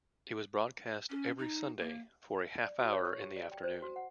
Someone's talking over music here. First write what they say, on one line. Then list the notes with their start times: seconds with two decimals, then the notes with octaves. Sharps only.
It was broadcast every Sunday for a half-hour in the afternoon.
1.10 C#4
1.38 D#4
1.80 A#3
2.64 D5
2.80 F#4
2.92 C#5
3.05 C#6
3.21 G4
3.36 D5
3.52 G5
3.64 C5
3.82 F#4
3.96 F#5